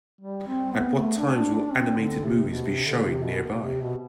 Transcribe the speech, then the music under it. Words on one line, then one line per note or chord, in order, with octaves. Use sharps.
At what times will animated movies be showing nearby?
G3
C4
B3
A3
D4
C4
D4
D4
C4
D3
C3
B2
C3
D3
C3
B2
C3
B2